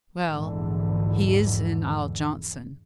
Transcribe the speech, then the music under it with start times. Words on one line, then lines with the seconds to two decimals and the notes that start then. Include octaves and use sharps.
"Well, he is in Isle Johnson."
0.25 A#1 E2 G#2 D3 E3